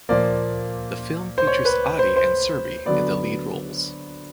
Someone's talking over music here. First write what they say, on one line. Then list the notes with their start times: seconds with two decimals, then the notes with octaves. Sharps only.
The film features Aadi and Surbhi in the lead roles.
0.09 A#2 F3 A#3 D5
1.38 C5
1.47 C#5
1.65 B4
1.99 C5
2.16 C5
2.86 D3 F#3 B3 D5